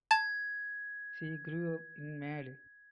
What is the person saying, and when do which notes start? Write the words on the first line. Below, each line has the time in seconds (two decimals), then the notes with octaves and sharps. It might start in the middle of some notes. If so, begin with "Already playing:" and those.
She grew up in Made.
0.11 A5 G#6